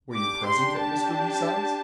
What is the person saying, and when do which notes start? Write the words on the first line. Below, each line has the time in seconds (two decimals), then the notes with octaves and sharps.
"Were you present at Mr. Reeside's?"
0.14 D4 G4 D6
0.47 C6
0.80 A5